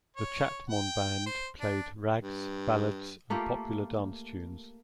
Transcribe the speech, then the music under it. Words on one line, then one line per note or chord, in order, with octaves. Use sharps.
The Chatmon band played rags, ballads, and popular dance tunes.
C#5
G5
C5
D4
G2
A3 A#3 F4 G4